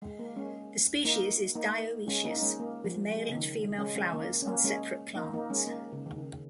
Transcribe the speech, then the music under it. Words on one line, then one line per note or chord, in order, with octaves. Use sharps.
The species is dioecious, with male and female flowers on separate plants.
G#3
A#3
G#3 C#4
A#3 D#4
A#3 D#4
G#3 C#4
A#3 D#4
D#4
G#3 C#4
A#3
F3
G#3
C#3
D#3
G#3
G#3 C#4
G#3 C#4
A#3
C#4
A#3
G#3 C#4
A#3 D#4
A#3 D#4
G#3 C#4
A#3
C#3
D#3
C#3